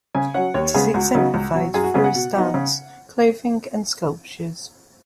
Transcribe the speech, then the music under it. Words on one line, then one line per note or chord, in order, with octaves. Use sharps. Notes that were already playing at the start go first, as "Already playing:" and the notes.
It is exemplified through its dance, clothing, and sculptures.
C#3 G#5
F#3 C#4 F#5
D#2 C#5
C#3 G#3 B3 G#4
C#2 F#4
C#3 F#3 B3 D#4
C#2
B2 F#3
F#2 G#4
F#4
C#3 B3 G#4
F#5
B2
F#3 B3 D#4
C#3